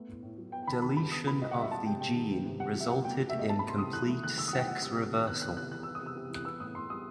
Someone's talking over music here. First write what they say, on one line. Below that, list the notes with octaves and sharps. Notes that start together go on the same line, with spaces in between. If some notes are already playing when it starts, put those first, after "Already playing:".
Deletion of the gene resulted in complete sex reversal.
Already playing: A3 B3
A2
A2
F#3
B3 G5
G5
D#3 B5
A5
D#3 B5
G3 B5
B3 D#6
B2 B5
B2 D#5
F#5
G3
E5
G3 A5
C3 G5
C3 G5
D#3
B3
C3
C3 F#5
F#3
E5
B2 F#5
A3 G5
B2
E5
A3 D#5
B3 A5
B5
C3 C6
C3 D#6
E3 F#6
A3
D#3 F#6
D#3 E6
D#6
F#3 F#5
G5
A3 F#5
C3 E6
C3
D#3
B3 F#6
C3 F#6
C3 F#6
E3 F#6
B3 E6
D#6
C3
E6
C3
E3 F#6
B3 E6
A2 D#6
A2 C6
G3 D#6